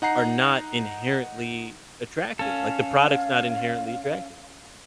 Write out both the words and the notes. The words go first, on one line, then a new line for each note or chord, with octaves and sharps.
are not inherently attractive. Like the product's not inherently attractive.
D#4 F#5 A#5 C7
C#4 A4 F5